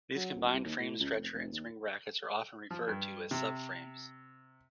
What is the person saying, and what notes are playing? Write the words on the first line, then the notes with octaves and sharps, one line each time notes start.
These Combined Frame Stretcher and Spring Brackets are often referred to as "sub-frames".
F#3
D#1
C2
D#2
A2
C#2
F1
F1
D#2
F3
G2
C3